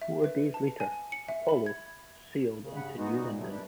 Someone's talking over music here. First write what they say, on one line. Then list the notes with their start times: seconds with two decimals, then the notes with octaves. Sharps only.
Four days later, "Apollo" sailed on to New London.
0.02 E5
0.24 B4
0.54 A5
0.80 G#5
1.12 C#7
1.28 E5
1.49 B5
1.66 G#6
2.59 C#3
2.75 G2 F#5 B5
2.97 G#3 B3 D#4 F#4
3.11 A#2
3.38 F#3 G3 A3
3.50 F#2 D4 B4